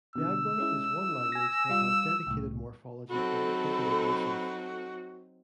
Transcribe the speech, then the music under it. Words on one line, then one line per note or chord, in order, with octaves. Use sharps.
Yagua is one language that has dedicated morphology for applicative uses.
B2 D3 E6
G#3 C#4 E4
G#5 A#6
G3 F4
C2 A2
F#3 C4 D#4 F#4 A4 B5